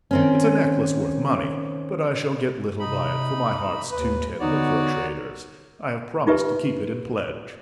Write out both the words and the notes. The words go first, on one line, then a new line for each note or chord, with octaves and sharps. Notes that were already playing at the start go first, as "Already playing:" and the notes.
"It's a necklace worth money, but I shall get little by it, for my heart's too tender for a trader's; I have promised to keep it in pledge."
D#3 C4 C#4
C3 D#4 B5
D#2 B4
D3 B3 D#4 F#4 C#5 D5
D#4 F4 G4 B4 E5